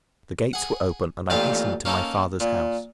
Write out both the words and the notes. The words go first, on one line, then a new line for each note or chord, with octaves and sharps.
The gates were open, and I hastened to my father's house.
G#4 F#5
A1 F2 A#2 F4 G4 F5
A#3 C#4 D#4 A4
A#2